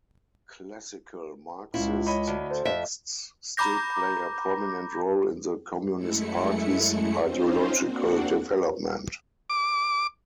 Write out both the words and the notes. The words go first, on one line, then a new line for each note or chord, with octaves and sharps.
Classical Marxist texts still play a prominent role in the Communist Party's ideological development.
C#2 A#2 C#4 E4 F4
C#5 D#5 B5
D2
A4 C5
F2 E5
A#5 B5 D6 G6 A#6
F#2 G#3 A3 E4 C#7
C4 C#4 D#4 F4 C5
A#3 C4 D4 F#4 F#5
D6